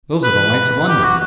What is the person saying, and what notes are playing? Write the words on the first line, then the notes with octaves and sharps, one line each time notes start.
Those are the lights of London.'
B4
G4
F#4